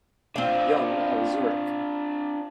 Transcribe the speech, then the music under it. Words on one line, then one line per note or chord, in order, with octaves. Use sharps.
Jung of Zurich.
C4 D4 F4 F5